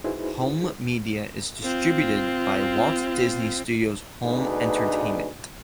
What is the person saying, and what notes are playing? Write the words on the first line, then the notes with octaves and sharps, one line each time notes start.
Home media is distributed by Walt Disney Studios Home Entertainment.
D#4 E4 F#4 G#4 B4 C5
C4 F4
D2 B2 D4 D#4 G#4 B4